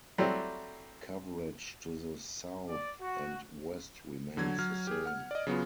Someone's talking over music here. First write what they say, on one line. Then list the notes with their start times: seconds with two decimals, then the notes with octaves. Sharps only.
Coverage to the south and west remains the same.
0.18 F#3 G3 A3 C4 E4 G4
2.69 D5
3.02 F#4
4.37 D3 F#3 G#6
4.58 F#3 F6
4.87 G4 G#4
5.06 F#5 F6
5.31 D5 D#5
5.47 C#3 F#3 B3 F4